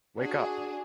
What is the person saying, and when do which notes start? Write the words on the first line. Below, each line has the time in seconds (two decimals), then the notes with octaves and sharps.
Wake up!
0.18 D4 F#4 G#4